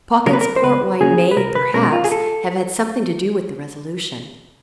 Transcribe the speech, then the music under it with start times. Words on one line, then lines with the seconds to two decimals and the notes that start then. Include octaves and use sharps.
Pawkins's port wine may, perhaps, have had something to do with the resolution.
0.26 C#3 F#3 A#3 C#4 A#4
0.33 B4
0.41 A#4
0.56 C5
0.63 C#2 B4
1.00 C#3 F#3 A#3 C#4 G#4
1.31 B4
1.37 C2 A#4
1.55 B4
1.74 B2 G#3 C#4 A#4
1.93 F4
2.04 G#4
2.12 A4